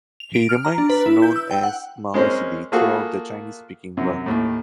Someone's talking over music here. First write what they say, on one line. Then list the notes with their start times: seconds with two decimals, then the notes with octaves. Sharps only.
He remains known as Mao Sidi throughout the Chinese-speaking world.
0.20 F7
0.34 D7
0.49 F6
0.65 A#5
0.78 D4
0.90 B4
1.06 E4
1.22 G6
1.36 E6
1.51 G5
1.63 F#5
2.14 G#3 C4 C#4 A#4 C5
2.72 A3 A#3 F4 F#4 G#4 A4
3.97 F#2 C3
4.26 D#2 A2